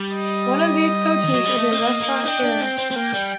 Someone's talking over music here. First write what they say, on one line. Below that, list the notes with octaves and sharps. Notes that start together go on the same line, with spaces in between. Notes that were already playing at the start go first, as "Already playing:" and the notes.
One of these coaches is a restaurant carriage.
Already playing: G3
D#5
D#3
F#3
G3
A3
C4
A#3
A#3
D4 G5
D4
C4
C4
C4
A#3 G5
G3